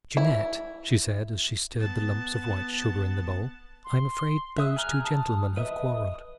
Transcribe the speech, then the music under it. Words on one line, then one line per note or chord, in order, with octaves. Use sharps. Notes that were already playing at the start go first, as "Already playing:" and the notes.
"Jeannette," she said, as she stirred the lumps of white sugar in the bowl, "I'm afraid those two gentlemen have quarrelled."
E4
B3 A5
C6
E5 D#6 E6 F#6
G#4 A#5 F6 F#6
A5 D#6
B4 D#5 E5 D#6